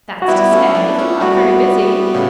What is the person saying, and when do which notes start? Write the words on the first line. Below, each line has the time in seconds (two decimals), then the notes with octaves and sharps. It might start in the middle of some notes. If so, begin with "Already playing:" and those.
"That's to say if you're not very busy."
0.22 F#4
0.28 G3 B3 E4
0.52 A3 C#4
0.75 B3 D4
0.98 A3 C#4
1.21 G3 B3 F#4
2.14 A2 C#3